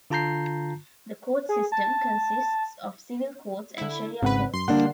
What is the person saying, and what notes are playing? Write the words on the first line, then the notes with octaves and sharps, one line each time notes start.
The court system consists of civil courts and Sharia courts.
D3 F4 A5 A#5 G6 C7
G#4
A5
D3 E4
G#1 C#3 C4 B4 F#5
F#2 C6 C7
D3 G3 A#3 D4 F#5